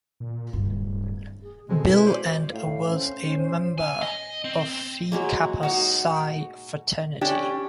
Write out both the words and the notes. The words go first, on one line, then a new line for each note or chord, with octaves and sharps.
Bill, and was a member of Phi Kappa Psi fraternity.
A#2
D1 G2
G#4
B2 G#3 C4 A4
E4 B4
C#4 F4 F#4 C5 D5
A2 F5
C#4 C5
C#4
G#5
D#5
C4
F#3 G#3 A#3
D#4 F#4 F5
C#4 D4 G4